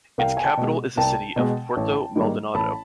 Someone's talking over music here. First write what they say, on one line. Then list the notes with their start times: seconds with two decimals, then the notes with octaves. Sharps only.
Its capital is the city of Puerto Maldonado.
0.18 C2 F5 G5
0.37 G#5
0.44 G5 A5
0.57 B2 G#3
0.98 C2 G5 A5
1.36 B2 G#3
1.77 A1
2.16 G#2 D#3 G3 A#3
2.54 A1 A5 B5